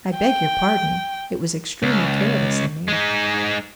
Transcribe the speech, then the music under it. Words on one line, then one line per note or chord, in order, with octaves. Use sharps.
"I beg your pardon; it was extremely careless in me."
G5
C#2
G#3 D#4